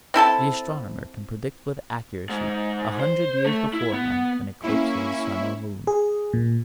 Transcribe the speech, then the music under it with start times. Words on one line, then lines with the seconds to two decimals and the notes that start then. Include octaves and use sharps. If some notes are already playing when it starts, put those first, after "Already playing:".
The astronomer can predict with accuracy a hundred years beforehand an eclipse of the sun or moon.
0.14 C4 E4 A4 A5
2.29 G#2
3.00 C5
3.46 A3
3.74 E4
3.93 B3
4.63 A#3 C#4 E4
5.87 G#4
6.33 A#2